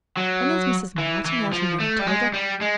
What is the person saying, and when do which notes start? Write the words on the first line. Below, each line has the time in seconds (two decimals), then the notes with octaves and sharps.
And there's Mrs. Martin out in Manitoba.
0.17 F#3
0.98 E3
1.26 E3
1.53 F3
1.80 A3
1.99 G3
2.07 G#3
2.33 G3
2.61 G#3